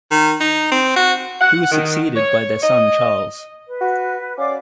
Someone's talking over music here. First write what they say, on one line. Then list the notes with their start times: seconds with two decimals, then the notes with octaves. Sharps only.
He was succeeded by their son Charles.
0.11 D#3
0.41 D#4
0.72 C4
0.96 F#4
1.41 F#5
1.71 D#3
2.16 C#5
2.63 D#5
3.68 B4
3.81 F#4
4.38 C#4 D5 F5 D6